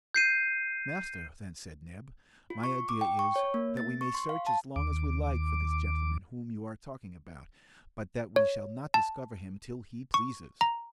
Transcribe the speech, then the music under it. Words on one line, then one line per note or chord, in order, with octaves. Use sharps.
"Master," then said Neb, "my idea is, that we may search as long as we like for this gentleman whom you are talking about, but that we shall not discover him till he pleases."
G6 C7 D#7
F4
C#6
D6
G5
C#6
C#5
A#3
A6
C#6
C6
F5
A5
D#2 D6
C#5
A5
C#6
A#5